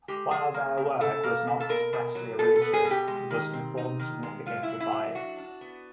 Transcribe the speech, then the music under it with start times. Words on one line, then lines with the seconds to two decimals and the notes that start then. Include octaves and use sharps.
While their work was not expressly religious it was informed significantly by it.
0.08 G#3 G4
0.31 F3 G#4
0.54 A#3
0.77 C#3
1.00 C#3 A4
1.24 A#3
1.47 C#3
1.60 A4
1.69 B2 A#4
1.93 B2
2.15 F#3
2.39 B2 A4
2.56 A4
2.62 B3
2.73 G#4
2.85 B2
2.91 G4
3.08 G#3
3.31 D#3
3.53 C4
3.77 D#4
3.99 D#3
4.23 G#3
4.46 F#3 F4
4.63 E4
4.68 F#3
4.80 E4
4.92 F#3
5.15 D4 F#4
5.38 D4
5.61 B3